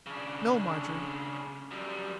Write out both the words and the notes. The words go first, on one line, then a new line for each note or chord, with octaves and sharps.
No, Marjorie.
C#3 D4
F#2 G3